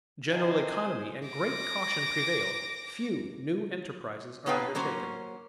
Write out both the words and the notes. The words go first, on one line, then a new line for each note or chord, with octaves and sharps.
General economy and great caution prevail; few new enterprises are undertaken.
C3 F3 C5 D#5 G#5
D6 A#6
A2 B3 D#4 B4 F5 G5
F#3 A#3 C#4 C5